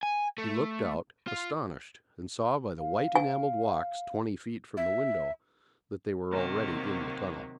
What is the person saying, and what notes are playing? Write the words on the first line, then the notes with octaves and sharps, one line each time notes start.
He looked out, astonished, and saw by the white enamelled walks twenty feet from the window that they were already in the tunnel.
G#5
A3
F4
F5
G#5
E5
C3 D#3 F#3 A#3